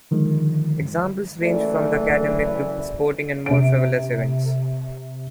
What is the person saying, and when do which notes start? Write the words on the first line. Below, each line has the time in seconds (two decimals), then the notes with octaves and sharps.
Examples range from the academic to sporting and more frivolous events.
0.11 D3 D#3 F3 G#3
1.43 F#1 E3 A3 D5
3.46 C3 D7